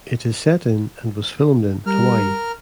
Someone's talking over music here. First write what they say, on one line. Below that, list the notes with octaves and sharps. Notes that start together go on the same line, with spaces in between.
It is set in and was filmed in Hawaii.
G3 A#4 F6